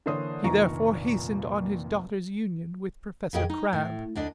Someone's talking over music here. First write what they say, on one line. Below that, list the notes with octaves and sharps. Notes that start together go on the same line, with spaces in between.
He therefore hastened on his daughter's union with Professor Crab.
D3 E3 A#3 C5 C#5 D#6
F1 A#1 A#2 D#3 A#5 C#6
F2 A#2 G#4 D#5 G5
D#4
A2
D2 D4 D#5